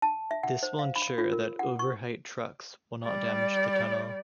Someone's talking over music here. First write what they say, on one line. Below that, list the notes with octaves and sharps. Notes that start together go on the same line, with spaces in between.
This will ensure that overheight trucks will not damage the tunnel.
A5
E5
F#5
C5
F5
B5
F4
A#4
F#5
C#6
G3 D5